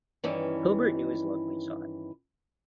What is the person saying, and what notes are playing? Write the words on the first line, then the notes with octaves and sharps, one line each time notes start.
Hilbert knew his luck when he saw it.
G2 D#3 E3 C#4